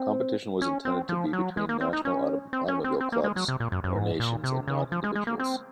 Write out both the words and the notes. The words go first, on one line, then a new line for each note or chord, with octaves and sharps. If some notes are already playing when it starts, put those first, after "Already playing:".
Competition was intended to be between national automobile clubs, or nations, and not individuals.
Already playing: C4
C#4
C4
F3
F#3
G#3
A#3
C4
D#4
C#4
C4
C#4
C4
C4
A#3
G#3
F#3
C3
A#2
F#2
F#2
G#2
A#2
C3
C#3
F3
G#3
G#3
A#3
C4